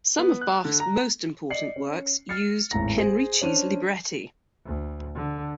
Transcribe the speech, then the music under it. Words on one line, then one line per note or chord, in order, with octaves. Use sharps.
Some of Bach's most important works used Henrici's libretti.
B3
F#6
D3
A#5
D5 D#5 C7 C#7 F#7
C#4
F6 A6 C7 C#7
G#1 A2 A#5 A#6
G#4 C5
C#4 D4 C5 D#7 F7
D2
D3